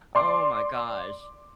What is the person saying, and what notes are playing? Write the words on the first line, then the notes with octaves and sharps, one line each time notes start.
Oh my gosh.
D5 C6 D6